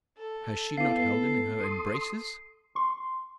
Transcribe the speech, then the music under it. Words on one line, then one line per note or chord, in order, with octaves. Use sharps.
Has she not held him in her embraces?
A4
B3 E4 F5 C7
C6 D#6
C6